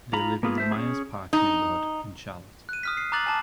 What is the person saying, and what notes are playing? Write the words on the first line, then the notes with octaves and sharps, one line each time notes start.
They live in the Myers Park neighborhood in Charlotte.
F4 A#5 B5
A#3 B3 F4 G#4
A3 C5 E5
C#4 G#4
D#4
F#6 D#7
D#6 F6 B6
C7
A#5 D6 D#6 F#6 A6 F#7
G#5 A5 D6